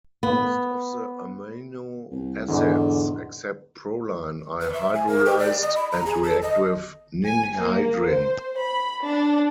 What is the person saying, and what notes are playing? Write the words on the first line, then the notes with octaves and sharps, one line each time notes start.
Most of the amino acids, except proline, are hydrolyzed and react with ninhydrin.
B3
C2
E2 G#2 D3
B4
E5
G#5
A#4
G4
D5
D#5
B5
A#5
G#4
A4
D#5
G#5
A#3
C5
B5
D4